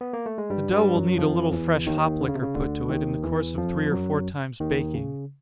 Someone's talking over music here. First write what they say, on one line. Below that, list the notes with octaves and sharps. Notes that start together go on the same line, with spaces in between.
The dough will need a little fresh hop liquor put to it, in the course of three or four times baking.
B3
A#3
A3
G#3
G2 G3
G2 G3
F#2 F#3
F2 F3
E2 E3
D#2 D#3
D3
C#3
C3
C#3
D2 D3
D#2 D#3
E2 E3
F2 F3
F#2 F#3
D#2 D#3
C#3